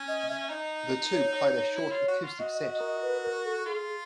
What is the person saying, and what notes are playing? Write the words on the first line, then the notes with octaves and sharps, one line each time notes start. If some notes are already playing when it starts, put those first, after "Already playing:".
The two played a short acoustic set.
Already playing: C#4
D#5
E5
D#4 D#5
C#5
C#5
C#5
E4
F4
F#4
F4
F#4 D#5
D#5
D#5
B4
A#4
A4
F4 G#4 A4